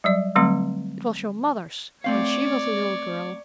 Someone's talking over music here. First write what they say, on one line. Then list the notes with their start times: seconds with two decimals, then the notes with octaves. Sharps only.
"It was your mother's when she was a little girl."
0.04 F#3 G3 D5
0.36 D3 F#3 G3 A3 C4 C6
2.04 A3 C4 C#5 D5 F5